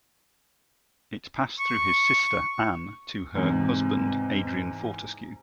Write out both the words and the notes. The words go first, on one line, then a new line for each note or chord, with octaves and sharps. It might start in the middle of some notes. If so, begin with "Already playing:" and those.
It passed through his sister, Anne, to her husband-Adrian Fortescue.
C#6
E2 G#2 C3